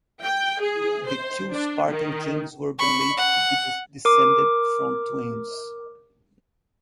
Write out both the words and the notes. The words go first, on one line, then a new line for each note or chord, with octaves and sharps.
The two Spartan kings were believed to be descended from twins.
G5
G#4
C5
D4
D#3
B5 C#6
F#5
A#4 D6